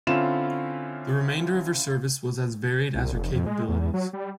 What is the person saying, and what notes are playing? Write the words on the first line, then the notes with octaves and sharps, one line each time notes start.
The remainder of her service was as varied as her capabilities.
D3 C4 C#4 E4 F4 E7
C2
F1
F2
G#3
E2
E2
F#3
G3